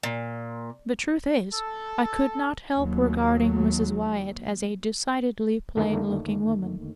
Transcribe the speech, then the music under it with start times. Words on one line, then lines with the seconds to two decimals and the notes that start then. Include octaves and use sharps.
The truth is, I could not help regarding Mrs. Wyatt as a decidedly plain-looking woman.
0.03 A#2
1.54 A4
2.78 D#2 F#3
5.77 F2 D3 D#3 A3 A#3 D#4